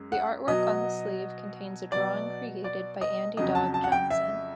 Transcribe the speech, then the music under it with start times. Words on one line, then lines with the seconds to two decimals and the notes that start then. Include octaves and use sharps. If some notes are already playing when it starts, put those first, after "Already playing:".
The artwork on the sleeve contains a drawing created by Andy Dog Johnson.
Already playing: F#2 G#3
0.12 F#5
0.47 B2 F#3 D#5
1.92 B2 F#3 D5
2.64 D5
3.01 D#5
3.37 F2 C#3 F#3 D#5
3.55 A5
3.74 A5
3.84 F#5
3.92 G5
4.10 E5